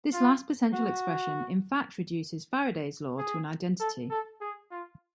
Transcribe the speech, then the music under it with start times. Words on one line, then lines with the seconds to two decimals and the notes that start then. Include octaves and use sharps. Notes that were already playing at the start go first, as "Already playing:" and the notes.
This last potential expression in fact reduces Faraday's law to an identity.
0.13 F4
0.74 F#4
3.19 G#4
3.80 A4
4.10 A4
4.41 G#4
4.71 F4